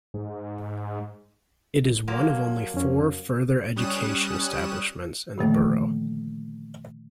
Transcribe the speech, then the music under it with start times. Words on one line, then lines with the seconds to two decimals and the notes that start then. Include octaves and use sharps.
It is one of only four further education establishments in the borough.
0.14 G#2
2.07 F3 F#3 A#3
2.74 F2 C#4
3.76 G3 C#4 D#6 F#6 E7
5.38 A#2 D3 D#3 F3 A3 A#3